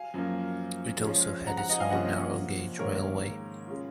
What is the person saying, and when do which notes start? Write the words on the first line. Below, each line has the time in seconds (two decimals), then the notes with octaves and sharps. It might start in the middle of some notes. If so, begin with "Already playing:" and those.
It also had its own narrow gauge railway.
Already playing: F5 G#5
0.14 F#2 F3 A#3
1.03 C#3 F3 G#3 C#4
1.46 F#5 A#5
1.58 F#5 A#5
1.69 D#5 F#5
1.80 F5 G#5
1.90 C3 F3 A#3 C#4 D#5 F#5
2.79 G#2 D#3 A#3 A#4 C#5
3.67 C#3 G#3 C#4 F4